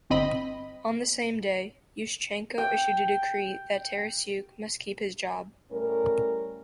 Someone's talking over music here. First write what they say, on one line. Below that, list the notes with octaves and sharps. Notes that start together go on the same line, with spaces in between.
On the same day, Yushchenko issued a decree that Tarasyuk must keep his job.
G1 C4 D#5 B5
G5
A2 G3 C#4 A#4